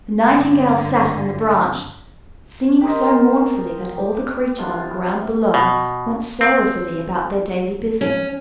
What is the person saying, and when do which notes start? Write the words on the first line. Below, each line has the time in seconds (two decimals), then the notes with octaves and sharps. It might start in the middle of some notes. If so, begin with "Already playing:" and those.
The Nightingale sat on the branch, singing so mournfully that all the creatures on the ground below went sorrowfully about their daily business.
0.25 G2 D3
2.81 G4 A#4 C5 D#5
3.03 A#4 A5 C6
3.96 G4
4.58 C3 B3 D4 F4
5.54 B2
6.41 C4
8.01 C#4